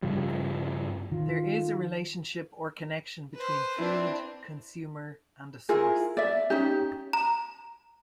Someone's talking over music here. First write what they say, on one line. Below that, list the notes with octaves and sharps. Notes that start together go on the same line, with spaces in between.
There is a relationship or connection between food, consumer, and a source.
G2 C#3 F3 G3
D#3 F4
B4 C5
C4 D4 E4 B4
E4 F4 G#4 A#4
D5 E5
C#4 D#4 G4
A#5